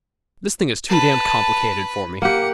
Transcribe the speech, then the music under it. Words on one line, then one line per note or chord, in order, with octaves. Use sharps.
This thing is too damned complicated for me.
B4 A5
A#3 G4 F#5